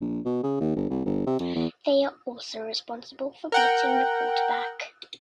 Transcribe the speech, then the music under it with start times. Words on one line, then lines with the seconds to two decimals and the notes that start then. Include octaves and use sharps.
They are also responsible for blitzing the quarterback.
0.01 A#1
0.25 B2
0.43 C#3
0.61 D#2
0.76 G1
0.90 C2
1.06 G1
1.27 C3
1.39 F2
1.55 E2
3.52 A#4 F#5 G5